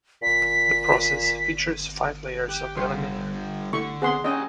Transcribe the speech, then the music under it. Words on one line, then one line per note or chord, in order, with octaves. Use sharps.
The process features five layers of aluminium.
A#2 B6
G4 F#6
D3 G3 G4 C#5 C6
D3 G3 A3 E4 C#6
B3 C4 G#4 F#5 C6
C#4 D4 G4 C#5 D#5 G5 A#6